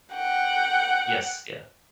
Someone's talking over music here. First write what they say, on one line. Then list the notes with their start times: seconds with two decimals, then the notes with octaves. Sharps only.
Yes, yeah.
0.14 F#5 G5